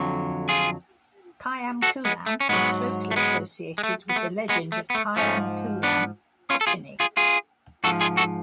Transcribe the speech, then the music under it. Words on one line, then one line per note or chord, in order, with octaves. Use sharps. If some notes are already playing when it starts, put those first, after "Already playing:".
Kayamkulam is closely associated with the legend of Kayamkulam Kochunni.
Already playing: F2 D3 F#3
F4 G#4
F#4 A4
G#3 B3
A3
C#4
G#2 F#3 G#3 B3
A3
G#3 B3
G#3
A3
B3
A3
G#3 B3
A3
B3
A3
G#2 F3 A3 C#4
B3 D4
C#4 F4
A4
F4 G#4
F4 G#4
F4 G#4
G#2 F3 F#4 A4
F4 G#4
F#4 A4